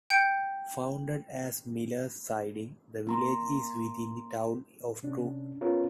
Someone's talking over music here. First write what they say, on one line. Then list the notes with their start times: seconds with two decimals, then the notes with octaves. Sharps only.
Founded as Miller's Siding, the village is within the town of True.
0.10 G5 G6 C#7
3.07 A#3 A#5 C6
5.03 C3 C#4 D4
5.61 B3 C#4 F4 A#4 B4 C#5